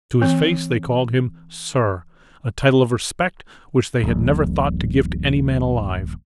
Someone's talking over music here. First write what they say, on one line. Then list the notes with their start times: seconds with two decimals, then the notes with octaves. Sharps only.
To his face they called him 'sir,' a title of respect which they had never thought to give to any man alive.
0.22 E3 C4
4.04 D#1 A#1